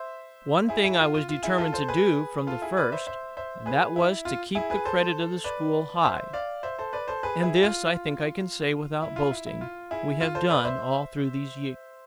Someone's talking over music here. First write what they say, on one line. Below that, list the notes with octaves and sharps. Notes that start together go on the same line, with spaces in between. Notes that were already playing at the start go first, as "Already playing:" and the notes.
One thing I was determined to do from the first, and that was to keep the credit of the school high; and this, I think I can say without boasting, we have done all through these years.
Already playing: C5 E5
E4 G#4
E4 G#4
F4
F4
F4
E4 G#4
F4 A4
A4 C5
G#4 B4
F4 A4
E4 G#4
B4 D5
C5 E5
C5 E5
C5 E5
G#4 B4
E4
F4
E4 G#4
G#4 B4
A4 C5
B4 D5
C5 E5
D5 F5
C5 E5
A4 C5
B4 D5
A4 C5
G#4 B4
E4 G#4
F4
E4
F4
E4
E4
F4
E4 G#4
F4
A4 C5
B4 D5
C5 E5